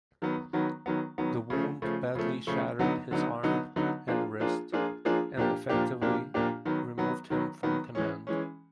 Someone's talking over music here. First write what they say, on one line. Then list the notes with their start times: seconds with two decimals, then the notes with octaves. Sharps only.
The wound badly shattered his arm and wrist and effectively removed him from command.
0.22 D#3 F#3 B3
0.53 D#3 F#3 B3
0.86 D#3 F#3 B3
1.18 D#3 F#3 B3
1.50 C#3 F3 A3
1.82 C#3 F3 A3
2.15 C#3 F3 A3
2.47 C#3 F3 A3
2.79 D3 F#3 B3 D#4
3.11 D3 F#3 B3 D#4
3.43 D3 F#3 B3 D#4
3.76 D3 F#3 B3 D#4
4.08 F3 A#3 D4 F4 G#4
4.40 F3 A#3 D4 F4 G#4
4.72 F3 A#3 D4 F4 G#4
5.05 F3 A#3 D4 F4 G#4
5.37 A#2 F3 A#3 D4 G4
5.69 A#2 F3 A#3 D4 G4
6.01 A#2 F3 A#3 D4 G4
6.34 A#2 F3 A#3 D4 G4
6.65 D#3 F#3 B3
6.98 D#3 F#3 B3
7.30 D#3 F#3 B3
7.63 D#3 F#3 B3
7.95 E3 G#3 C#4
8.27 E3 G#3 C#4